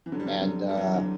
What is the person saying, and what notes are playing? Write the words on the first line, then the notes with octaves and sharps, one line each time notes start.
and, uh
E3
D3 F#3
G3
D3 F#3
D3 F#3
G3
F#3
E3
D3 F#3